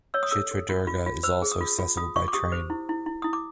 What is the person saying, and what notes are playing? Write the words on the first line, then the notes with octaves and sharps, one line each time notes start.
Chitradurga is also accessible by train.
C#5 E6
D#6
A4 E6
A4
F4
F4
F4
C5 E6
G#4
D#6
F4
F4
F4 D#6
F4 C#6
D6
G4 D#6
C5
E4
E4
E4
E4 D#6
D6